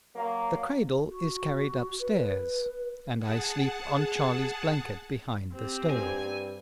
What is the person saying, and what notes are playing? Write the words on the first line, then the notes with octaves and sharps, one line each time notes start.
The cradle is carried upstairs, and I sleep on Charlie's blanket behind the stove.
F#3 A#3
F#4
B4
G#4 F#5 A5
C4 G4
G2 G#5